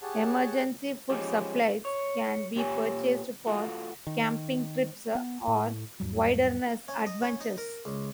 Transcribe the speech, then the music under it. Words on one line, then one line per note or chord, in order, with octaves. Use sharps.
Emergency food supplies can be purchased for camping trips or wilderness adventures.
G4 G#4 C#5 F#5 A5
F3 G#3 C#4 G4
C#5
A#2 G4 C#5 G#5
A3 F4 F#4
D#3
B3
A2
E2 G#2 F#3 G3
C#4
D#5
C#4
D#4
A#4
C#2